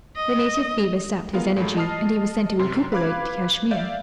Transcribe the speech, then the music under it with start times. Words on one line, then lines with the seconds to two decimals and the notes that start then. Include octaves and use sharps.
The native fever sapped his energy, and he was sent to recuperate, to Kashmir.
0.16 D#5
1.33 G#3 B3 F4 A#4 F5
1.56 G#2 F#3 G#3 A3 B5
1.76 D#5 A5 D#6 F6 C7
2.59 F#2 C3 C6
2.92 B4 F5 B5 D6 F#6 G#6
3.71 D5 E5 F5 G6